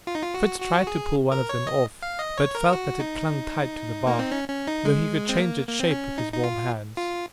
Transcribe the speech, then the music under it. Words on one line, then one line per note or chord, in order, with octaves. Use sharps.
Fritz tried to pull one of them off, but felt that it clung tight to the bark, though he could change its shape with his warm hands.
F4
D#4
F4
F#4
F#4
G#4
A#4
C#5
D#5
F5
D#5
C#5
A#4
F#4
D#4
A#3
C4
C#4
C#4
D#4
G#3
C4
A#3
A#3
C4
C#4
D#4
D#4
F4
F4